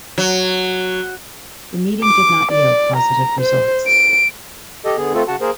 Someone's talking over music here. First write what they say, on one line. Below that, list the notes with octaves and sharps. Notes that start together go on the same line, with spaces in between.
The meeting did not yield positive results.
F#3
D6
D5
A#5
C5
D7
G4 A4 D#5
D3 B3 G#4
A3 C4 F4 A4
C#3 F#4 F#5 A5
A#3 G#4 A#4 C5